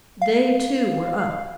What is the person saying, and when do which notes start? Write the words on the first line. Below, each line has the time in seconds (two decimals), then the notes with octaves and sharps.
They, too, were up.
0.22 F5